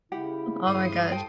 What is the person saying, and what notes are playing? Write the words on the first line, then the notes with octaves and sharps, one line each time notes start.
oh my gosh.
C#3 E4 G4 F#5 G5
G2 C5 D#6
A4 G5